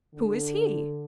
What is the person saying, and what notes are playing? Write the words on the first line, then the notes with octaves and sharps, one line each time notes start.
"Who is he?"
D3